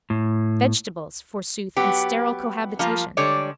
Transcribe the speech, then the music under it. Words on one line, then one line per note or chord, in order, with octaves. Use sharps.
Vegetables, forsooth, and sterile cohabitation!
A2
F#3 B3 G4
F3 G3 A#3 F4
D3 G3 G#3 C#5 D5